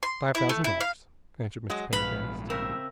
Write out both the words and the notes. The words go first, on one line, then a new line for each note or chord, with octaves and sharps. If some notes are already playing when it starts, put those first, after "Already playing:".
"Five thousand dollars," answered Mr. Pendergast.
C6
E4
A3
E4
F5
F#3 G#3 D#5
A#1 G#2 B3 B4 F5 B5
C#3 C4 A#4 E5